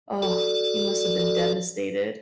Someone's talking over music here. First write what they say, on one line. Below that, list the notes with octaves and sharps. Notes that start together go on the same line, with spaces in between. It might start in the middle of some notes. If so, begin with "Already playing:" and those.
oh, he must have been devastated.
F#4 A4 D5